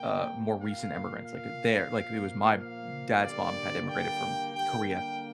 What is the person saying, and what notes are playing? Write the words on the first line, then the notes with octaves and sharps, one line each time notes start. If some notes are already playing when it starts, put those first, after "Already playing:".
uh, more recent immigrants, like, they're like, it was my dad's mom had immigrated from Korea
Already playing: C3 A#3 G5
A#2 A#3 F5
F5
A#2 F3 A#3
F5
D3 G3 A#3 D5
G5
D3 G3 A#3 G5
G5